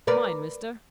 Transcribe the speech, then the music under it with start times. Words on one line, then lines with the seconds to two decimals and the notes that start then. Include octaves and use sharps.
"Mine, mister."
0.07 A#4 B4 D5